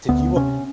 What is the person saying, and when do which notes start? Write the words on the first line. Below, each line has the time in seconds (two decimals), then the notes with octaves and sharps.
Did you w
0.09 D2 B3
0.36 C3 C#4